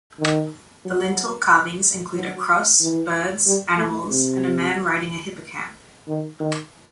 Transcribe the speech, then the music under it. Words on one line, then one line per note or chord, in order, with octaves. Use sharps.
The lintel carvings include a cross, birds, animals, and a man riding a hippocamp.
D#3
F#3
F#3
E3
G3
A3
C3
D#3
D#3